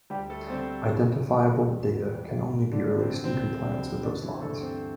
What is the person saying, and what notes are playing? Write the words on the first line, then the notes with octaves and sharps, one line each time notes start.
Identifiable data can only be released in compliance with those laws.
D2 G3 G4
A3 A4
D3 G3 C4 C5
G1
G2 D3 G3
E2
E3 G3
A1
D3 D4
G2 E3 G3
C4
D2 C4
D3 G3
G1 D3 D4
E3 E4
C5
G2 G3 A3 A4
C4 C5